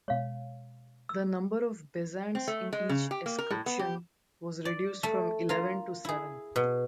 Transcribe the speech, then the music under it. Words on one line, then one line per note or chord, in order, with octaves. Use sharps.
The number of bezants in each escutcheon was reduced from eleven to seven.
B2 G#3 C#5 F5
E6
C4
A3
G#3
C#3
G4
A#3
A#4
A2
B3
G4
D5
A3
F4 A#4 F5
E4 G#4
B2